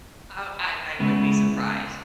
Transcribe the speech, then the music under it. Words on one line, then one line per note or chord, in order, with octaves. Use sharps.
Oh, I I would be surprised.
C#3 G#3 B3 E4